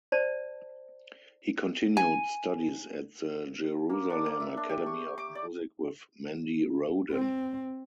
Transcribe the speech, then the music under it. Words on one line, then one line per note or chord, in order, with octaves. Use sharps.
He continued studies at the Jerusalem Academy of Music with Mendi Rodan.
C5 D5 A5
G#5
A#3
D4
A#3
E5
D4
G4
C#6
D6
D5
C4